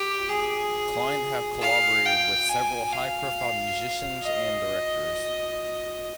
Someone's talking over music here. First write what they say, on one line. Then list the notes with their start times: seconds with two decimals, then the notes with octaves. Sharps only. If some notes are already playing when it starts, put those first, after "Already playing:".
Client have collaborated with several high-profile musicians and directors.
Already playing: G4
0.29 G#4
1.61 F5
2.05 G5
2.49 G#5
2.92 F5
4.23 D#5